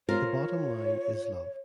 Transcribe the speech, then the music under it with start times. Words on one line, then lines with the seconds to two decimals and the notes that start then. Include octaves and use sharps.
The bottom line is love.
0.09 F4 A#4 C5 C#5